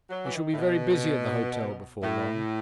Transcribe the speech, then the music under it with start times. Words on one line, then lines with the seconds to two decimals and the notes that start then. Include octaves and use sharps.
We shall be very busy at the hotel before long.'
0.10 F#3
0.23 E3
0.35 D#3
0.51 A2
0.58 B2
2.03 A2